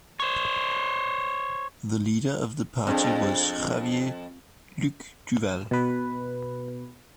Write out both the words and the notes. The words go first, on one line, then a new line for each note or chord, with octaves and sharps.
The Leader of the party was Xavier Luc Duval.
C5 C#5
F2 C4 D4 G#4
B2 B4